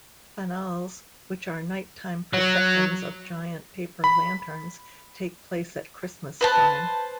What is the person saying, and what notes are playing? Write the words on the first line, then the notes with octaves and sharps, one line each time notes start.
"Fanals", which are night-time processions of giant paper lanterns, take place at Christmas time.
F#3
B5
B4 C5 A5